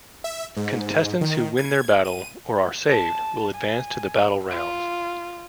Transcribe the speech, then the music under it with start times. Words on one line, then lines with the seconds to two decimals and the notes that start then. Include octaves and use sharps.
Contestants who win their battle or are saved will advance to the Battle rounds.
0.24 E5
0.57 G#2
1.21 D#3
1.57 G#6
2.05 D#7
2.91 A5
3.55 G#5
4.51 F4